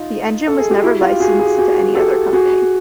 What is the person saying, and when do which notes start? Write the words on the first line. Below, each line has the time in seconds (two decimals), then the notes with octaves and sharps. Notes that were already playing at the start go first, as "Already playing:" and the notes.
The engine was never licensed to any other company.
Already playing: D#4 F4
0.47 A4
0.59 G#4
0.71 G4
0.83 E4 F#4
1.01 F4 G4
1.20 F#4 G#4
1.39 F#4 G#4
1.58 F#4 G#4
1.95 G4 A4
2.33 F#4 G#4